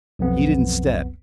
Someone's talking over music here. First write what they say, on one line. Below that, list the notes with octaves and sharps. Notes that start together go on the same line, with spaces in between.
He didn't step.
B1 F2 B3